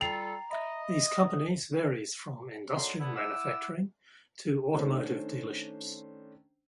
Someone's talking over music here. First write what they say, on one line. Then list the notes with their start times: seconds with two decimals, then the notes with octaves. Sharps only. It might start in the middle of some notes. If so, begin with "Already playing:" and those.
These companies varies from industrial manufacturing to automotive dealerships.
0.01 G3 F4 A4 G5 A#5 A6 C7 F7
0.51 D#5 E5 B5
1.08 D#6
2.77 D3 F#3 A#3 D#4 C6
2.99 D3 B3 E4
3.16 E4 F#5 D6 E6
4.73 D#3 A3 C#4 D4 C5